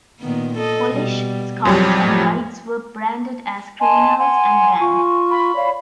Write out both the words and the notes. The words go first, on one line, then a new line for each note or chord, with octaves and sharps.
Polish Scouts and Guides were branded as criminals and banned.
A#2 D#3 B3
A4 D#5
B2 G3
F2 F#3 G3
A2 F3
D#5 G#5 A5 C6
F#5 G#5 C6
F4 C#6
B5
C#5 D5 F5